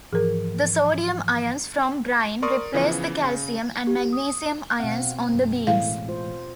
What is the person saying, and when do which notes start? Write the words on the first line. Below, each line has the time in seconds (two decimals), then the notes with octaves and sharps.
The sodium ions from brine replace the calcium and magnesium ions on the beads.
0.13 G#2 E3 F3 G#4 A#4
2.42 A#4 D5 C6 C#6 D#6
2.74 C#3 E3 F3 B3
3.23 C#3
3.87 G4
4.13 D#6
4.80 B2 C4 F5 F#5
5.35 F#2
5.67 A2 E3 G#3 F5
6.08 F4 C5